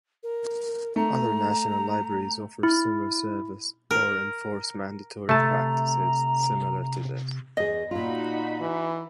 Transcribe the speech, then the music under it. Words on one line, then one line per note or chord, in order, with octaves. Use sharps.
Other national libraries offer similar services or enforce mandatory practices similar to this.
A#4
A3 A#5
E4
A#4
C3 A3 A5 A#5
E2 G#4 D#5
A#2 D#4 F4 F#4 B5
E3